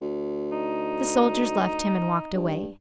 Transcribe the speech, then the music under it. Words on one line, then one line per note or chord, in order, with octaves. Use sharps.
The soldiers left him and walked away.
D2
D#4
G2